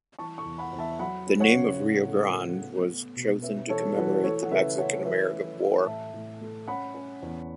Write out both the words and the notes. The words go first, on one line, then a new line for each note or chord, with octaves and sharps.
The name of Rio Grande was chosen to commemorate the Mexican-American War.
E3 A5 C#6
A5 C#6
E2
F#5 B5
E2
E5 A5
F#3 F#5 B5
C#4
C#5 F#5
C#3
A2
A3
A3
B3
B3
B2
C#4 B4 E5
E3 A4 C#5
E3 F#4 B4
A3 A4 C#5
F#5
C#3 B4 E5
C#4 C#5 F#5
C#5
E3 B4 E5
A3
E3
A2 E5 A5
A2
A3
C#4 F#5 B5
C#4
E2